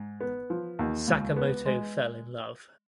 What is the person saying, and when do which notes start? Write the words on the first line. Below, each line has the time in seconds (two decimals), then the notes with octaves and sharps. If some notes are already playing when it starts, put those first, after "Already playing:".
Sakamoto fell in love.
Already playing: G#2
0.21 B3
0.50 F3
0.79 D#2
1.08 C#2
1.37 B3
1.65 G#3